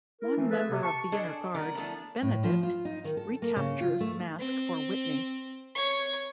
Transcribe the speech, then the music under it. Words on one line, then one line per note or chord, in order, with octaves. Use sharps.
One member of the Inner Guard, Benedict, recaptures Masque for Whitney.
E4 A#4
E3 F3 A3 C4
A#3 G#4 A4 B4 E5
C3
A5 C#6
D4 G#4 A4 C5 D#5
D3 G3 B3 A#4
E3 F3 A3 B3 D4
A2
F3
F4
D#4
D#3
A4
A#3
C#3
F4
A3
C4
C#5 C#6